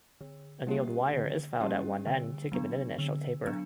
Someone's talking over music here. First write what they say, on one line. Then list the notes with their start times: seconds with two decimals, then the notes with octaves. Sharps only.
Annealed wire is filed at one end to give it an initial taper.
0.21 D3
0.67 G3 A#3 C#4 G4
1.14 D3
1.60 G3 A#3 C#4 G4
2.06 D3
2.52 F#3 B3 D4
2.98 D3
3.45 F#3 B3 D4